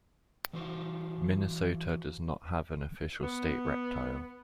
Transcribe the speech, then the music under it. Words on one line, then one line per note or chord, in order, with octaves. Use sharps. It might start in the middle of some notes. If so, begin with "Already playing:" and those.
Minnesota does not have an official state reptile.
E3 F#4 C5
B3